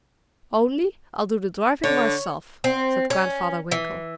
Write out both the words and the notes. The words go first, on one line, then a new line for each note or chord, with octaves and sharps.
"Only, I'll do the driving myself," said Grandfather Winkle.
D3 C#5
C4
C#4
E3